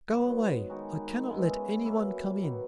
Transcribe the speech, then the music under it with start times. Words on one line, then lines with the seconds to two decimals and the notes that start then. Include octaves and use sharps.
"Go away; I cannot let any one come in."
0.12 G#2 F#3 B3
0.70 D#3 G#3 D#4 F#4
1.27 C#3 G#3 B3 E4
1.85 B2 F#3 A#3 E4
2.43 D#3 F#3 B3